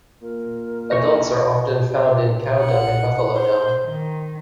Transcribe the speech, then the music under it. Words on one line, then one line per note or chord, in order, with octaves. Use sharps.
Adults are often found in cow dung and buffalo dung.
A#2 A#4
E3 C#6 A#6
F#5
C5
D#3